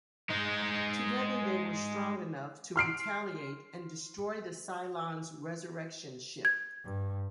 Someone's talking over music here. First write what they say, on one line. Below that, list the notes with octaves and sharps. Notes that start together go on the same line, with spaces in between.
Together, they were strong enough to retaliate and destroy the Cylon's Resurrection Ship.
G#3 D#4
C6 F6 C7 D7
G#6
G2